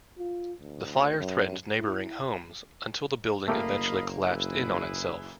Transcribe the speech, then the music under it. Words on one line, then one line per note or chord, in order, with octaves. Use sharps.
The fire threatened neighboring homes until the building eventually collapsed in on itself.
F4
D2
F#2
E4
F#1 A3 A#3 G4 D#5 F5 B5
E4 G#4 B4